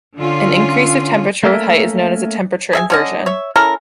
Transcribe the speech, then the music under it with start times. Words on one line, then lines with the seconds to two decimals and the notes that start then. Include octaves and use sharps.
An increase of temperature with height is known as a temperature inversion.
0.17 D3 C#4 F4
1.43 A3 A#3 C#4 A4 A#4 E5
2.73 G#4 E5 G#5
2.90 D3 C#4 D#5
3.26 C#5 E5
3.56 C#4 E4 A4 A#4